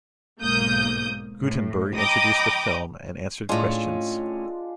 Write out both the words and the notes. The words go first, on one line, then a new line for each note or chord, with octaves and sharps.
Guttenberg introduced the film and answered questions.
B1 G#2 A#3 D#6 G6
A2
D#5 G5 A#5 B5 D6 D#6
A2 G#3 C#4 D4 F4